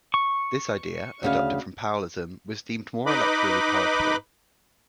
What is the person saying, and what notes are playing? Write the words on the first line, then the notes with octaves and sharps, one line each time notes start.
This idea, adopted from Powellism, was deemed more electorally palatable.
C#6
D2 C#3 F5
D#4 B4 D#5 B5 D6